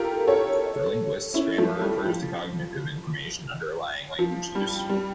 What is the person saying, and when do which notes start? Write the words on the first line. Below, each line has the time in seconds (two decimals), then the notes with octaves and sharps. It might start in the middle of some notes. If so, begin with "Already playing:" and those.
For linguists, grammar refers to cognitive information underlying language use.
Already playing: F4 G4 A4 A#4
0.27 A4 C#5
1.34 C#4 E4
1.58 F3 A3
1.81 G3
2.05 F3
4.19 F3
4.55 G3
4.89 G3